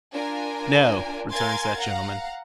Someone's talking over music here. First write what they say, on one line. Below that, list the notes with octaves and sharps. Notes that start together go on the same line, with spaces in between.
'No,' returns that gentleman.
D4 F4 A#4 G#5
A#4 F5 G#5 C6 G#6 A6
F5 F#5 A#5